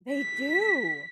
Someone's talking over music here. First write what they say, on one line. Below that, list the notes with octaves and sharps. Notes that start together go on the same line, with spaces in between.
They do!
B6